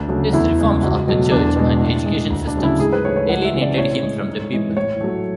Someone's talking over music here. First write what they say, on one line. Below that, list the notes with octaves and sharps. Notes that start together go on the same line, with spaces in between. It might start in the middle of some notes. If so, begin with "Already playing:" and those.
His reforms of the church and education systems alienated him from the people.
Already playing: D2 D4
C#3 F#3 A3
E2 E4
C#3 G#3
C#2 F#4
B2 F#3 A3
E2 D4
B2 G#3
A2
G#3
D2
D4
C#3 F#3 A3
E4
G#2 G#4
B4
E3 A3 C#5
C#5
C#2 F#5
E5
C#3 E3
D5
A2 C#5
G#3
G#2
E3 G#3
A2 C#5
F#3 A3